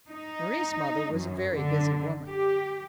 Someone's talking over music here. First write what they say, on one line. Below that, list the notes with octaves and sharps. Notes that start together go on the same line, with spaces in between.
Mari's mother was a very busy woman.
D#4
F#2
D3
G4